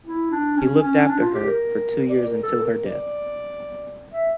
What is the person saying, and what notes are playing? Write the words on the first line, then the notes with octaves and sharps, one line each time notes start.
He looked after her for two years until her death.
E4
D4
C#4
C#4
D4
F4
G4
A#4
D5
A#4
A4
A#4
D5
E5